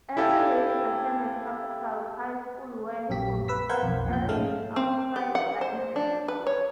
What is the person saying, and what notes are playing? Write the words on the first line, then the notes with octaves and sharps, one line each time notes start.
Etheridge attended Capital High School where he competed as an outside linebacker.
E4 G4 A4 F5 G5 G#5
A#1 F#2 G4 B6
B4 E6 B6
A#4 C5 F5 F#5 G6 G#6
B1 F2
A#2 G6
G#2 G#3 A3 C#4 A4 F5
C4
G4
F#5
C5
D4
B4
C#5